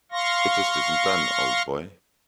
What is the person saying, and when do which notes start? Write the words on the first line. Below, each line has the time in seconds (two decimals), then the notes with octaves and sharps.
It just isn't done, old boy.
0.12 F5 C6 C#6 A#6